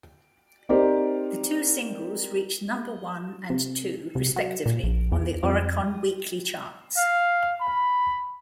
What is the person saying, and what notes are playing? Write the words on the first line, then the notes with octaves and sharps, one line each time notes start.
The two singles reached number one and two respectively on the Oricon Weekly Charts.
C4 D#4 G4 A#4 C5 D5
C3
C2
F#3
A#2
A#1
E2
F2
F5
B5